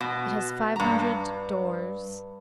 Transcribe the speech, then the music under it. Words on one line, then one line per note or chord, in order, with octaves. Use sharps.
It has five hundred doors.
B2
G2 A#5